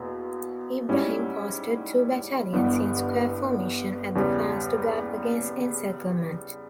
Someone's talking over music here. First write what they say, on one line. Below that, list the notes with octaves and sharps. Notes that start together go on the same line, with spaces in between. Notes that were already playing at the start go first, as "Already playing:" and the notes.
Ibrahim posted two battalions in square formation at the flanks to guard against encirclement.
Already playing: E2 B2 A#3
G#2 G3 C#4 E4
G1 G2 E3 G3 B3
E2 C#3 G3